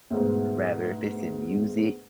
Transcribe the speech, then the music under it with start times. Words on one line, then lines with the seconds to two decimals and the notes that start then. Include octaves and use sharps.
Rather if it's in music
0.10 D2 G#2 B2